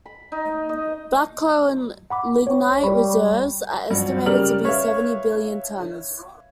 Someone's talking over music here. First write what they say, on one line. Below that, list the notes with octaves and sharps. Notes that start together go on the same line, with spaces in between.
Black coal and lignite reserves are estimated to be seventy billion tons.
B5
D#4
D#5
F#5 B5 D6
C#5 G5 C#6
G3 D5 B5 C#6
G2 F3 F#3
C#3 G3 A#4 D5 F6 F#7
B4 C#5 E5 F5